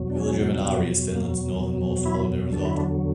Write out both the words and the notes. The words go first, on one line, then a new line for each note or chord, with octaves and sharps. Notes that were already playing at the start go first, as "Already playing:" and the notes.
The village of Inari is Finland's northernmost holiday resort.
Already playing: E2 B2 F#3
D4
C#4
E2 B2 F#3 B3
A#3
E2 B2 F#3
E4
E2 D3 F#3 D4
E4
D4